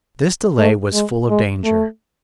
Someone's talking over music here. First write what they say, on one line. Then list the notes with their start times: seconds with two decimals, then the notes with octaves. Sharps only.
This delay was full of danger.
0.58 A3
0.93 G#3
1.29 G#3
1.64 A3